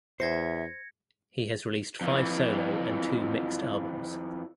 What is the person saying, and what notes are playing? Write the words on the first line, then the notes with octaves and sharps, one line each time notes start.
He has released five solo and two mixed albums.
E2 C5 E5 G#6 A#6 C#7
F2 E3